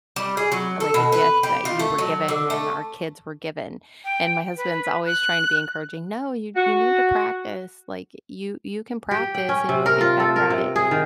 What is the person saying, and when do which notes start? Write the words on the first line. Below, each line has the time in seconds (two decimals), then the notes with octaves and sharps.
like, a gift that you were given and our kids were given." And my husband's always trying to be encouraging. "No. You you need to practice, like, you you can practice, and you'll get better at it."
0.16 G3
0.37 G#4
0.52 F#3
0.80 A4
0.94 B2
1.12 B4
1.43 G4
1.65 F4
1.79 A3
1.98 F#3
2.28 D3
2.50 A3
4.05 G5
4.57 B4
5.07 F#6
6.55 F#4
9.11 G4
9.35 G5
9.49 C#4
9.69 C3
9.86 A#4
10.01 F4
10.20 A4
10.36 A#4
10.50 C3
10.76 G#4
10.91 D#3